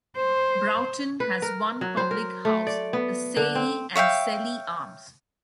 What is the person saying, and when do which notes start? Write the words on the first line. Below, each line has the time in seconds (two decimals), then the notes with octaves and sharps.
Broughton has one public house, the Saye and Sele Arms.
0.16 C5
1.20 B4
1.42 A#4
1.81 F#3
1.97 C5
2.11 A#4
2.45 A3
2.67 D5
2.93 B3
3.37 D3
3.55 C4
3.96 C#5 E5 F5 G5